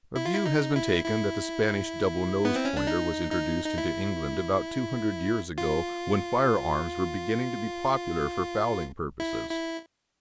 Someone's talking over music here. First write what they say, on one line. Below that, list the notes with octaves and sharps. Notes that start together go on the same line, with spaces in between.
A view has been taken that the Spanish double-nosed Pointer was introduced into England about two hundred years ago, when fire-arms were beginning to be popular for fowling purposes.
E4
F4
E4
D#4
E4
E4
B3
C4
C#4
D4
D#4
D#4
D#4
E4
F4
E4
E4